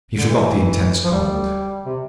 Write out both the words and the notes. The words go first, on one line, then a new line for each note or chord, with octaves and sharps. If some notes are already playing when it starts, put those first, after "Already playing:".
He forgot the intense cold.
D3
E3
F3
G3
C3